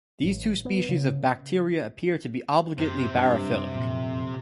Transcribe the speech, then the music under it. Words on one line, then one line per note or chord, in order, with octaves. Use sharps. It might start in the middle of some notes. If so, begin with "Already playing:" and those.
These two species of bacteria appear to be obligately barophilic.
A1
B3
C#3
F#2 C3 G4
G2
F2 A#2